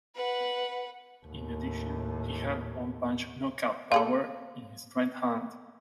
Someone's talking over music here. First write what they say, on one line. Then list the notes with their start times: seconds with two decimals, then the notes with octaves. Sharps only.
In addition he had one-punch knockout power in his right hand.
0.15 B4 F#5
1.26 D#2 A2
3.92 A#3 G#4 A4 F5